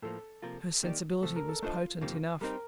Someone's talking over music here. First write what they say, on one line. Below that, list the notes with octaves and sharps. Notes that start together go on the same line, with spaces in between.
Her sensibility was potent enough!
A2 F3 A#3 A4
C3 F3 A#3 F4 A#4
D#3 A#3 D#4 G4 D5
C3 F3 A3 A4
A#4
A4
A3 D4 F4 A4 C5 D#5
F2 C3 D#3 G3 A#3
G3 C4 D#4 A#4